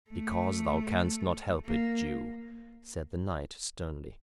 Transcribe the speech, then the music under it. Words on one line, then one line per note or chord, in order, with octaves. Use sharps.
"Because thou canst not help it, Jew," said the knight, sternly.
A3
A#3